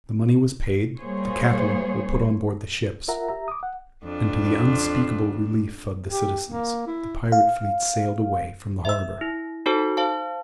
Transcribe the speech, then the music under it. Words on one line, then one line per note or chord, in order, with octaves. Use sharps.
The money was paid, the cattle were put on board the ships, and to the unspeakable relief of the citizens, the pirate fleet sailed away from the harbor.
G3 A#3 G#4 C5 C#5
F4 A#4 E5 F#5 A#5
G4 E5 A#5
D6 D#6
F#5
F2 D4
G4
A#3
E4
F5
E5 E6
E4
D#4 F#4 A4 C5 A5
C5 F5 A5